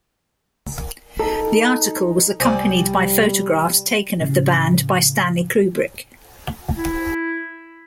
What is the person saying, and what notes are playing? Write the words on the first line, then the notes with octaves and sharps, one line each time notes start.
The article was accompanied by photographs taken of the band by Stanley Kubrick.
D#4 A4
C2 G3 C4 G#4 D5
A2 C#3
E4